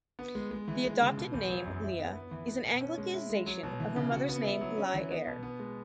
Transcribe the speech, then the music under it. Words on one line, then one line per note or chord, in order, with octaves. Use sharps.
The adopted name "Leah" is an anglicization of her mother's name "Li-Er".
B3
G#3
G#3
E3
G#3
C#3
B2
E2
F#3
F#2
E4
B3
B3
E3
B3
B2
C#4
G#3
E4
G#3
F#3
B2
E3
C#3
F#4
B3
E4
F#3
C#4
E3
B3
B2
B3
G#3